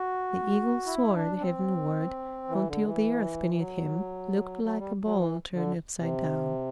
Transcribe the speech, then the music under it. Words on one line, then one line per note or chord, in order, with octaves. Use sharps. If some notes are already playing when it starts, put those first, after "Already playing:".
The Eagle soared heavenward, until the earth beneath him looked like a bowl turned upside down.
Already playing: F#4
E4
D4
C4
E3
D3
E3
F#3
F#3
G3
F#3
E3
D3
C3